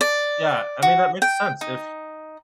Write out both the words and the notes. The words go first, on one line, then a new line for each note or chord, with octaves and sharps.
Yeah, I mean, that makes sense, if
D5
F#4
G5
D#4